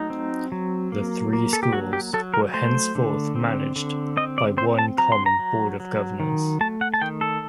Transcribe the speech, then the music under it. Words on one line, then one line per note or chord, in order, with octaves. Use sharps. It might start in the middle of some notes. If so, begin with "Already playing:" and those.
The three schools were henceforth managed by one common Board of Governors.
Already playing: F#3 A3 D#4
C4
F#3
A#3
A#3
A4
G4
F#3 F#4
G4
F#3 A4
A#4
A3 C5
D3
C4
D3
C4 D#5
D5
C4 C5
A5
F#3 A#5
C6
A#5
F#3
F#3
D#3
A3 A5
F#5
A5
D#3 G5
A4